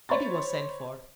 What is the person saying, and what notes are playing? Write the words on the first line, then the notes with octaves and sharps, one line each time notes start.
Kitty was sent for.
C5 C#5 B5 C6 A6